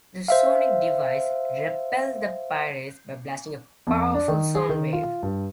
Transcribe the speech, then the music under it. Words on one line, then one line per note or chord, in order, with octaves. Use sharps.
The sonic device repelled the pirates by blasting a powerful sound wave.
C5 E5 F5
F2
D4
D#3
G#4
D#3
F4
G2